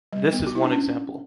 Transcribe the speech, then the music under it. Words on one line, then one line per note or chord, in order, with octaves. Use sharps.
This is one example.
G3
B3
F#4
E4
D4
C#4